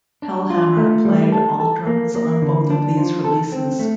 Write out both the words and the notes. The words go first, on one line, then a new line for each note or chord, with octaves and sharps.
Hellhammer played all drums on both of these releases.
D4
F4
A3
G3
A4
A4
A#3
A#3
D3
D4
F3
A4
C4
A3